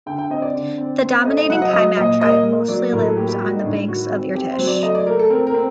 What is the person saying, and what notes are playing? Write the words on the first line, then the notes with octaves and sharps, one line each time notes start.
The dominating Kimak tribe mostly lived on the banks of Irtysh.
D3 G5
G5
C4 D#5
D5
D3
C4
C4 C5
A3 D#5
D#5
F#3 F#5
D#5
F#3 D#5
A#2 D#5
A#3 D#5
A#3
F#3 D5
A2 A#4
A4
A#3 G4
G4
G3 F#4
D#4
A2 D4
D#3 F#4
C4
C4 G4
C5
F#3
D5
A3 D#5
D5
A3 A#4
A4
C4 A#4
A#4
C4